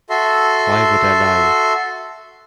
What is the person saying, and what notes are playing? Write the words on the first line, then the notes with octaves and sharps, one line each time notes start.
Why Would I Lie?
F#4 A4 E5 C6